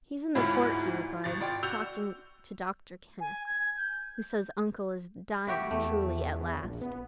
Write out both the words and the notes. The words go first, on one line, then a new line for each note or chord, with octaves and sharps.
'He's in the court,' he replied, 'talking to Doctor Kenneth; who says uncle is dying, truly, at last.
D2 G#2 E4 F4 C#5
G#1 A6
F4 D5 G5
F#4 E6 G6 F7
G#5
G#6
G6
E4 F#4 G4
E2 A3
A#1
B3